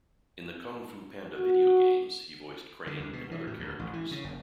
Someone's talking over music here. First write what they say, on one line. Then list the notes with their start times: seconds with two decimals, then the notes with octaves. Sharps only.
In the "Kung Fu Panda" video games, he voiced Crane and other characters.
1.35 F#4
2.87 D3
3.00 D2
3.13 B2
3.31 E3
3.47 A2
3.59 D2
3.79 A1
3.93 E3
4.11 C#3
4.24 F#1